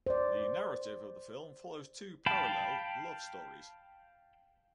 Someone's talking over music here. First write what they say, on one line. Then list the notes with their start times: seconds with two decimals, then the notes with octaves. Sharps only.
The narrative of the film follows two parallel love stories.
0.07 C5 D5
2.26 F5 G5 A5 B5